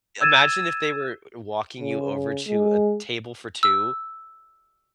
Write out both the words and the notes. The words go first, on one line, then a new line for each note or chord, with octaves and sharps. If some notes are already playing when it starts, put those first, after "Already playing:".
imagine if they were walking you over to a table for two
E6 G#6 A6 D#7 E7
C#3
G#3
E6